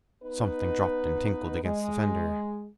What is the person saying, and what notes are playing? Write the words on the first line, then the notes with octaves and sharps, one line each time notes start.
Something dropped and tinkled against the fender.
B3 D#4 B4
G#3